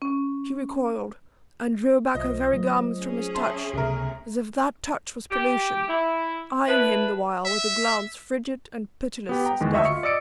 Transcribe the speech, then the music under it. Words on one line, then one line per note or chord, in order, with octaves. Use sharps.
She recoiled, and drew back her very garments from his touch, as if that touch was pollution, eyeing him the while with a glance frigid and pitiless as death.
C#4
B1 F4 C5 D#5
F#3 A3
C#4 G#4
E5 A5 C6
C#2 C3 G#3 A3 B3 A#4
G4
E4
D4 E4 B4
E5
B3 G4
G5 A#5
E2 D#3 G#3
D2 D#5 E5 C#6 E6
F4 C#7
D5 D#5 E6 C#7 D7